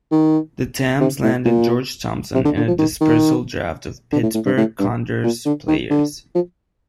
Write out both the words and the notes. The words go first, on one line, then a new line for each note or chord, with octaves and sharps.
The Tams landed George Thompson in a dispersal draft of Pittsburgh Condors players.
D#3
C3
A2
A#2
C3
D3
D3
F3
D#3
D#3
D3
A2
A2
G2
A2
G2
A#2
D3
D#3
D3
F3